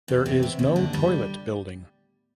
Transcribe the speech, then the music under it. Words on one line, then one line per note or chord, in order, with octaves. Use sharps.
There is no toilet building.
E2
C3
C3
D#2
D3
G3